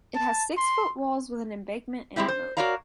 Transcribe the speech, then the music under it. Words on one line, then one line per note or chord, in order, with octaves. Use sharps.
It has six foot walls with an embankment and moat.
A5
C6
G3 G#3 C4 E4 G4
C5
F#4 A#4 C#5 D5 F5 A#5